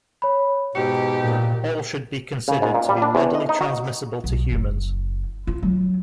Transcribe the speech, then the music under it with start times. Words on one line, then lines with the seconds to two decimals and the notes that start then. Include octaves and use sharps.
All should be considered to be readily transmissible to humans.
0.22 C#5 B5
0.75 G#2 B2 G4 C#7
1.22 A#2
2.48 C#3
2.62 G#2
2.75 A#2
2.89 G3
3.02 D4
3.15 E2
3.35 D#5
3.49 D#4
3.61 F#4
4.24 B1
4.52 F#1
5.47 F4
5.63 F#3